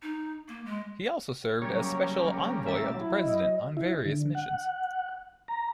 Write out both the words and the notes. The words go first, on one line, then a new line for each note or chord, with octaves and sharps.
He also served as Special Envoy of the President on various missions.
D#4
A#3
G#3
C#3 F#3 G3 A#3 C#5
A1 E5 A6
F#3 E4
D#5
E4
D3
F#5
A#5